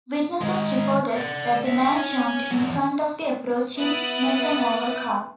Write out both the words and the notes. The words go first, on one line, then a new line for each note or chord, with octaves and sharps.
Witnesses reported that the man jumped in front of the approaching Metromover car.
D#3 G#3
D5 F#5
E5 F#5
C#5 G#5
E2 F#3
B3 E4 D#6 F#6 A6